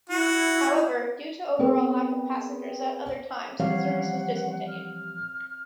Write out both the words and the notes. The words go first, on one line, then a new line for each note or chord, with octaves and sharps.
However, due to overall lack of passengers at other times the service was discontinued.
E4 F#4
B3 C4 G#4 A#4 B4
E3 F3 G3 C4 C#5 F5 F#5
F6